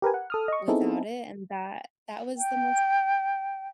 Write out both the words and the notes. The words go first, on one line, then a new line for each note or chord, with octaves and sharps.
without it, and that that was the most
G4 A#4 B4 G#5
F#5
A4 D#6 F6
D#5 C#6
B3 C4 D#4 E4 G#4 A4
G5